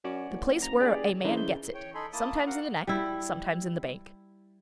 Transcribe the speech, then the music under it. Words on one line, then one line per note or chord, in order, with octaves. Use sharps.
The place where a man gets it--sometimes in the neck, sometimes in the bank.
F#2 C#4 F#4 D5
F#1
A#5
G4 G#4 B4 D5
C#3 E3 D4 E4 A#4 C5 D#5
G6
C#5 G5
D#4 A4 G#5 B5 C6
A#3 E4 A5 D#6
F#4 A#4 F5 F#5
G3 E4